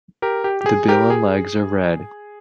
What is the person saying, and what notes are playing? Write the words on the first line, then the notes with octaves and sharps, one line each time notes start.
The bill and legs are red.
G4 A#4
G4
G4
G#4
G4 A#4
G#4